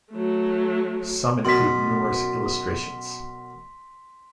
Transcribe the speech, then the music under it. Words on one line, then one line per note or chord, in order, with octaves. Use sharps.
Some include numerous illustrations.
F#3 A3
F#2 B2 C6 B6